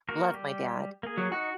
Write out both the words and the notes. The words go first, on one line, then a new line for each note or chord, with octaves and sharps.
love my dad-
A#3 F#4 A#4
G3 G4
A#3 G#4
F#3
D#4 F#4